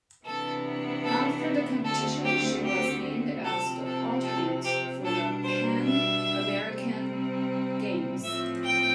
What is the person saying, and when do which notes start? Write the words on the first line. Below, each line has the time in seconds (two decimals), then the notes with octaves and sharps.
After the competition she was named as the alternate for the Pan American Games.
0.24 C3 E3 B3 D4 A4
1.04 A4
1.84 D2 D3 A3 C4 A4
2.25 G4
2.64 G4
3.44 C3 F3 C4 A4
3.85 A4
4.24 A4
4.64 G4
5.04 B2 G3 D4 A4
5.44 C5
5.84 E5
6.64 C3 G3 C4
8.23 A2 F3 A3 C4 E5
8.64 G5